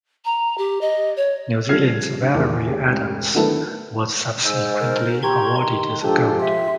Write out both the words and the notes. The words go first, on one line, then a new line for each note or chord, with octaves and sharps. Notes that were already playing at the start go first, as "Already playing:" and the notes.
New Zealand's Valerie Adams was subsequently awarded the gold.
A#5
G4
D#5
C#5
F3 G3 C4 F6 G#6 C7
D3
E2 D#3
D#2 G#4
E1 A1 G6
D3 D#3 F#3 B3 E4 A4
G#2 C5 E6
A#4
G4 A#5 C6 C#6 G#6
D#3 C6
F3 G#3 D4 G4 A4
F4 E5